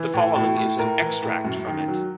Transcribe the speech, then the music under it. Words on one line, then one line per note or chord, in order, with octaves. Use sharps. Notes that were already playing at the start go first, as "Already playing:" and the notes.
The following is an extract from it.
Already playing: E3
A2
A2
A2
A2 A#4
E3
A2
F#2
D#3
F#3